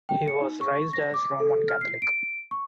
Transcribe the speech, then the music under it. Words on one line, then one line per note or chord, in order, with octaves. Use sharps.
He was raised as Roman Catholic.
G5
C#7
D#4
C#6
A#6
D6
A4
F6
C7
D7
C#6